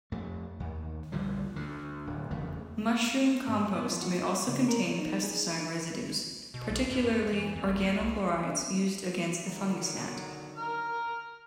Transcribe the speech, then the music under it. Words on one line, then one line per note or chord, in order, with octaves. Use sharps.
Mushroom compost may also contain pesticide residues, particularly organochlorides used against the fungus gnat.
F2 A3
D#2
A#1 D3 F3 G3
D2 D3
D1
F#1 E2 C#3 A3
G#2
F#2
B3
F3
F#4
C5
C#3
A#4
C#5
D#4
G#4
B2
B1
F#2
F#2
E3
F2
G#1
A#3
C2
D3 D#3 F#3
A#5 F6